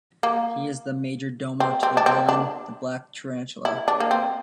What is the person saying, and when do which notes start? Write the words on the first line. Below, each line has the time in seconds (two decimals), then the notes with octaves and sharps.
He is the majordomo to the villain the Black Tarantula.
0.23 A#3
1.60 C4
1.83 C4
1.97 D4
2.06 C4
2.29 D4
3.65 E4
3.88 D4
4.00 A#3
4.11 C4